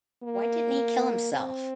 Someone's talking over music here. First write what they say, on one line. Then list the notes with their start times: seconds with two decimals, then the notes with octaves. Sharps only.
Why didn't he kill himself!
0.23 A#3
1.33 C4